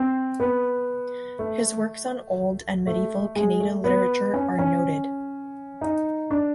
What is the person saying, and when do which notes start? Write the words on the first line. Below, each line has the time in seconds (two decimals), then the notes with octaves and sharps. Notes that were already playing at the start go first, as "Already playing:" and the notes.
His works on Old and Medieval Kannada literature are noted.
Already playing: C4
0.40 B3
1.39 A3
2.87 A3
3.36 G#3
3.60 A3
3.84 B3
4.34 C#4
4.59 C#4
5.81 D#4
6.31 D4